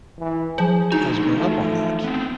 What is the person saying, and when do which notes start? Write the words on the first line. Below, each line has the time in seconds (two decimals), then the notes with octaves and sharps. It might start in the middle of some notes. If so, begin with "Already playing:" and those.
has grown up on that,
0.19 E3
0.58 F3 G#4
0.92 D3 G#3 D#4 F#4
1.37 E3 F3 A3
2.04 B3 C4